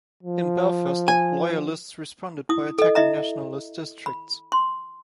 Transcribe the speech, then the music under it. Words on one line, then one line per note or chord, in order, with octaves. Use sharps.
In Belfast, loyalists responded by attacking nationalist districts.
F3
G#5
E4 D#6
A4 D#5
E4 D#5 E5 A#5
B5
C6